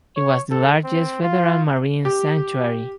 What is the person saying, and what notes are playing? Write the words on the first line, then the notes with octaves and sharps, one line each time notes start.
It was the largest federal marine sanctuary.
C#5
A4
C4
F4
G4